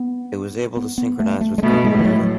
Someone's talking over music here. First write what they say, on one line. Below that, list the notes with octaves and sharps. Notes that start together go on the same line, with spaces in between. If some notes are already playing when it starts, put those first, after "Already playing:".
It was able to synchronize with Google Reader.
Already playing: B3
B3
B3
A3
A3
G#3
B2 A3
G#3
A2
E3
F#3